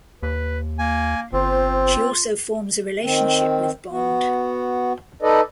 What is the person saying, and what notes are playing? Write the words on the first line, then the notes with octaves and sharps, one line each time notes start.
She also forms a relationship with Bond.
D#2 B4
A#3 G#5
G1 C4 F4 C5
D#3 C4
B3 F#4
D#4 A4 B4 D5 D#5